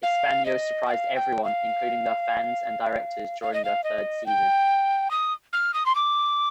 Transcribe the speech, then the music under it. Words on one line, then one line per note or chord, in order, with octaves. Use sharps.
Hispano surprised everyone including their fans and directors during their third season.
F5
D#5
G5
F5
G5
F5
F5
D#5
F5
D#5
G5
D#6
F6
D#6
C6
D6